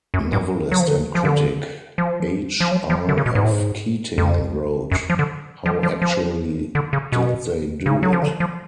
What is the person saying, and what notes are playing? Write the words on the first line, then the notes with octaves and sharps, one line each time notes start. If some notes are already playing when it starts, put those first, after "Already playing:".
Novelist and critic H. R. F. Keating wrote, How actually did they do it?
F#2
G#2
F#3
F3
D3
F3
D3
F3
F3
F#3
F3
D3
C#3
B2
G#2
A2
G#2
F2
F#2
F3
D3
F3
F3
F3
D3
C#3
B2
C#3
F#3
F3
D3
F3